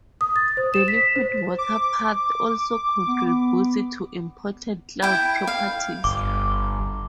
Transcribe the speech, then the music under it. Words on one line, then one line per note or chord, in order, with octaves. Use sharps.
The liquid water path also contributes to important cloud properties.
D#6
A6
C5
E7
B6
C5
D6
B3
E4 G5
F5
G1 D6